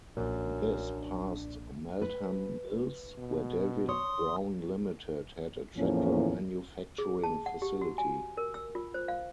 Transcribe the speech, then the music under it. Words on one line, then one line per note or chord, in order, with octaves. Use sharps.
This passed Meltham Mills, where David Brown Limited had a tractor manufacturing facility.
B1 F#2 A#2 F3 D4
B4
B2
C#5 C6 D#6
E2 A2 F3 A#3 C#4
G#4
A5
F#5
G4
F#4
G#5
A#4
E6
F4
C5
F5